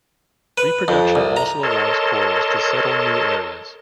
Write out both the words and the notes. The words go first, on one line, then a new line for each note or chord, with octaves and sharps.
Reproduction also allows corals to settle new areas.
B4
F2
C2
A#5
A4 A#4 C#5 D#5 A5 C6